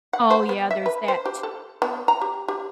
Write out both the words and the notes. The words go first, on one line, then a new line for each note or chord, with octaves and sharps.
Oh, yeah, there's that t
F#5
C5
B3
E5
B4
C5
G4
A4
B3
A#5
G4
G4